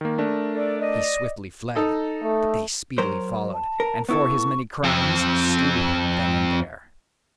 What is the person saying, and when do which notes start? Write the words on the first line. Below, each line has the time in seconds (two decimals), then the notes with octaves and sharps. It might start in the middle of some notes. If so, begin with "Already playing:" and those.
He swiftly fled, but they speedily followed, and for his many crimes slew him then and there.
0.01 D#3 A#3
0.18 A3 D4 A#4
0.54 A4 D5
0.80 D5 D#5
1.76 D#4 A4 D#5
2.23 A3
2.98 F#3 A#4 C5
3.54 A5
3.80 A#4
4.09 B3 E4 A4 C#6
4.84 F2 C4